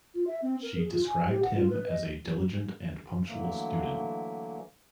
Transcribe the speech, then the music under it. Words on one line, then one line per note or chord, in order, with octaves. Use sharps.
She described him as a diligent and punctual student.
F4
E5
C4
A#4
G#4
F4
G#5
G4
F#5
F4
B4
D#5
D3 E3 F#3 A3 A#3